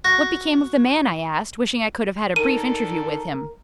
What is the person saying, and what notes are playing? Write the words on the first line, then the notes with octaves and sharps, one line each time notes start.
"What became of the man?" I asked, wishing I could have had a brief interview with him.
F#4 A#6
D#3 A4 A#4 D5 D#7